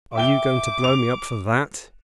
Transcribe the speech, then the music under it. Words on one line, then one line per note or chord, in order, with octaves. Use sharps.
Are you going to blow me up for that?
E5 G5 D6 G7
F7